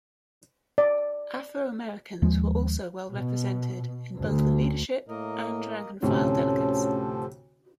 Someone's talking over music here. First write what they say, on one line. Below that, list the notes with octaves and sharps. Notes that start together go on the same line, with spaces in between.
Afro-Americans were also well represented in both the leadership and rank-and-file delegates.
D5
D#2 F3 G#3
B2
D2
A2 A#3 A#4 D#5
D2 A2 C3 F3 C#4 A4 C5